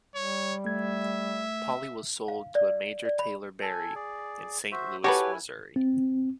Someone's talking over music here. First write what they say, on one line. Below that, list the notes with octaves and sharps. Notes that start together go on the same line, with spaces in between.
Polly was sold to a Major Taylor Berry in Saint Louis, Missouri.
G3 C#5
A3 E5 G#6
F5
D5
D5
B5
A4 G#5
G#4 D5
F#4 C5 E5
E4 F#4 G4 A4 B4 C#5 G#5
C4